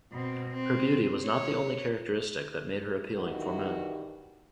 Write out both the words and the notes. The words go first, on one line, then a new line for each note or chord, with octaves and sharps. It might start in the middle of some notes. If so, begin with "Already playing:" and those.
Her beauty was not the only characteristic that made her appealing for men.
B2 C4
C4
C#5
G2 D#3 E3 E4 F#4 G4